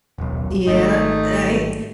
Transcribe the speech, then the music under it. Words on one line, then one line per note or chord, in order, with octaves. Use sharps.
yeah, I
D#1 B1
G#1 A3 D#4